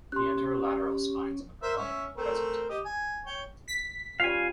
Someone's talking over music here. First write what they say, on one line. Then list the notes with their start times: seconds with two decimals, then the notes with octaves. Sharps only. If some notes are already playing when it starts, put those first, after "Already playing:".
The anterolateral spines on the pronotum are present.
0.12 C#4 G4 C6 F#6
1.62 A#4 C5 E5
1.77 C#4 E5
2.17 A3 C4 A#4
2.69 G4 D#5
2.85 G#5
3.26 C#5 G5
3.68 B6
4.20 G3 C#4 F4 F5 G#5